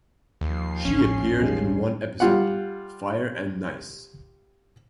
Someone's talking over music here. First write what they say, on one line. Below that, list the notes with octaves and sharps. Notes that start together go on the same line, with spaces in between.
She appeared in one episode, "Fire and Nice".
D#2 F3 C7
A1 D#2 C#4
D#3 G3 G#3
G3 F4 F#5